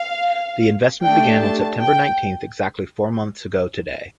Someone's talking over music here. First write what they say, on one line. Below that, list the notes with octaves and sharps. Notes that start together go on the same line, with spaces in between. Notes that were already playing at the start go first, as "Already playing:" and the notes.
The investment began on September Nineteenth, exactly four months ago today.
Already playing: F5
A3 D4 G4 G5
A5
G5